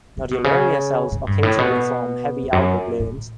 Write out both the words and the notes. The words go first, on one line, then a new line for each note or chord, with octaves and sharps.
"Nodularia" cells occasionally form heavy algal blooms.
C#3
B2
C#3
A2
G2
A2
B2
E2
F#2
A2